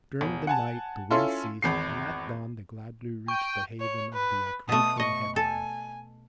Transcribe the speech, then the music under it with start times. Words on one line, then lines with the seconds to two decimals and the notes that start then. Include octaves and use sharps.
During the night the wind ceased and at dawn they gladly reached the haven of the Acherusian headland.
0.21 E1
0.47 F#5 G#5 A5
1.11 C#4 E4 F4 A4 C6
1.62 G#1 E2 C7
3.28 G5 C#6
3.80 C#5
4.13 B4
4.69 B2 A3 D#6
5.00 D#5 C#6
5.36 A4 G#5